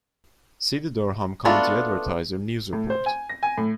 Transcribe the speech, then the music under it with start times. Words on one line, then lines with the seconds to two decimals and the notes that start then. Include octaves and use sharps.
See the Durham County Advertiser news report.
1.45 A3 B3 D4 F4 F#4
2.73 A2
2.90 C5
3.06 G#5
3.29 A#6
3.43 G#5
3.58 A2